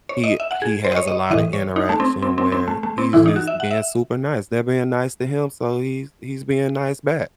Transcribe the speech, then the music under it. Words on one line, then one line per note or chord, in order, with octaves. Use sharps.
he he has a lotta interaction where he's just being super nice. They're being nice to him, so he's he's being nice back,
C#5
D#5
E5
F#5
G#4
C5
D#5
C#5
D#5
A2 E3 D#5
C#5
D#4
A3
C4
C4
C4
C4
A3
A3
C4
A2 E3 E4
D#4
F#4
E5
F#5
E5